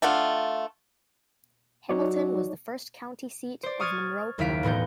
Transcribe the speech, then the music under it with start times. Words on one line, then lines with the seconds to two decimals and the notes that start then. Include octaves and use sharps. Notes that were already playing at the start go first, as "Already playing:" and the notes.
Hamilton was the first county seat of Monroe County.
0.02 A3 D4 F4 F#5
1.89 F#3 D#4 C#5 D5
3.63 C5 D5
3.80 C#6 D#6 F6 G#6 A6
4.38 F#1 D#2 E4 F5 B6 D7
4.63 E1 A2 B3 D#4 G6